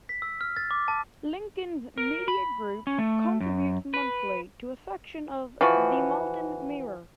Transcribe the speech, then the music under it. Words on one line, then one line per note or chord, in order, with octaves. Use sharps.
Lincoln's Media Group contributes monthly to a section of "The Malton Mirror".
B6
E6
F6
A6
D6
A5
A#4
B5
C#4
A3
F#2
B4
E3 F3 F#4